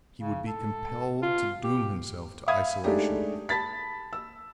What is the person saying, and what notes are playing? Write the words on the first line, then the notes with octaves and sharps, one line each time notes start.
He would be compelled to doom himself to isolation.
C#3
A4
F4
G4
E5 F5 B5 D#6 G#6
G#3 A3 D4 D#4 G4
A5 B5 A6 B6
E6